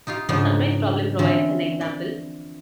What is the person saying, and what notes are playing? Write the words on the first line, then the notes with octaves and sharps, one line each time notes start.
The "sunrise problem" provides an example.
D#4 F4 G4 F5
G#2 C#3 F3 B3 D4 D#4
D3 E3 F3 C4 C#4
D5